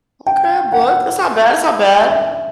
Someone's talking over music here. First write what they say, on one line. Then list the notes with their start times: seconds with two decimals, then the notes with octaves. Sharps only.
Okay, a book, that's not bad, that's not bad.
0.26 G5
0.72 F#5
2.10 E5